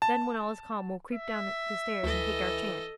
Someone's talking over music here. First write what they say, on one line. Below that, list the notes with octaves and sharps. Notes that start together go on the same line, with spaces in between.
Then, when all is calm, we'll creep down the stairs and take our chance.'
A5
E5
D2 E3 A4 D#5